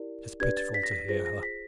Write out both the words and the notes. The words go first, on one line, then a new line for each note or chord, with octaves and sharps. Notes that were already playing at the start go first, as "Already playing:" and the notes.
It is pitiful to hear her.
Already playing: E4 G4 A#4 D5
D4 G4 B4 D5 G#6
A6
B6
A#6
B6
F4 G#4 C5 A#6
A#6
B6